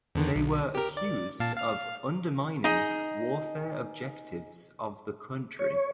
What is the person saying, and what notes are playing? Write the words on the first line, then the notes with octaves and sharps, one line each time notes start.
They were accused of "undermining warfare objectives of the country".
E2 D3 D#3
B1
G4 A#4
D5
A#2 F5 A5
F5 F6
D#4 G#4
C#5